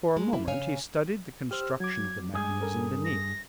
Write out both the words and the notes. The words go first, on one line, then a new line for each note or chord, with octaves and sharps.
For a moment he studied the construction of the mechanism beneath.
G#3
A#3 E4
C#3 C#5 F5 G#5
G4 C5 E6 F6
F#3 D6 G#6
G2 G#3 G#4 G#5
C#4 A4 A#4
A#6